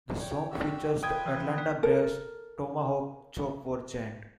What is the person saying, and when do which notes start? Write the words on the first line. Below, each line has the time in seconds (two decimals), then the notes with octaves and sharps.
The song features the Atlanta Braves Tomahawk Chop War Chant.
0.20 C#5 D5 G5
0.51 F#4 G4 E6
1.03 F4 B4 D#5 G5 D#6 G#6
1.26 E3
1.58 B3
1.83 A4 A#4